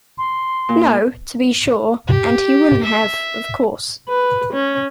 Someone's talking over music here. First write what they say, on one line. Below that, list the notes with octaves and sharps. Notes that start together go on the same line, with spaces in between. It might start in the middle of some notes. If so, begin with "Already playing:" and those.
No, to be sure, and he wouldn't have, of course.
C6
A#2
G4
E5
B4
C#4